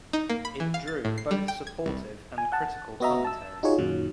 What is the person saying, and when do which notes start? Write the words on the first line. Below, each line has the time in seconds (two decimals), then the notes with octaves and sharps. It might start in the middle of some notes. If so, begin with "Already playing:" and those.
It drew both supportive and critical commentary.
0.13 D#4
0.30 A#3
0.45 B5
0.60 E3
0.74 F5
0.88 A6
1.05 A2
1.18 C7
1.31 G3
1.48 G5
1.67 G#6
1.86 C2
2.38 G#5
2.52 F#5 A5
3.00 B3 F#4 D#5 E5 A#5
3.25 A5 E6
3.63 D#4 F4 F#4 G#4 C#5
3.78 F#2 A#2 D#3 F#3